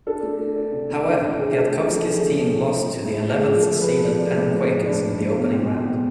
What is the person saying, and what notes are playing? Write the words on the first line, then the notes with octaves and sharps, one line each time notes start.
However Piatkowski's team lost to the eleventh seeded Penn Quakers in the opening round.
D4 A4
A3
A3
D4
C3
C3
D4
C3
A3 G#4
C3 A4
A3
A4
F3
A3 G#4
D4
C3
C3
G#3
G#3
A2
G#3
A2 G#4
F3
A4
F3
B4
F3
F3 D5
G#3
A2
F3
A2 D5
D4
G#3
A2
B2
C4
C4
B2